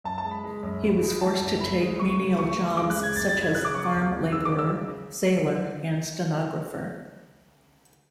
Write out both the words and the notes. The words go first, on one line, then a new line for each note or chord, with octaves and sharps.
He was forced to take menial jobs such as farm labourer, sailor and stenographer.
F#2 A5
A5
G#3
B5
G#3
F#2
G#1
G#3
E3 A5
F#2
D2 B5
G#3
D2 C#6
C#3
D2 C#6
D2
G#3 D6
F#6
C#3
G#6
F#1 A6
A6
C#3
G#6
C#3 F#6
D6
F#3 C#6
D6
E2
E2
C#3 E6
D6
C#3
E6